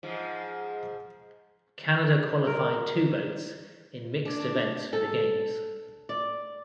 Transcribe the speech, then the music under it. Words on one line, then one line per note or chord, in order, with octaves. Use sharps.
Canada qualified two boats in mixed events for the games.
G#2 F3 G#3
A#4
D4
A4
D5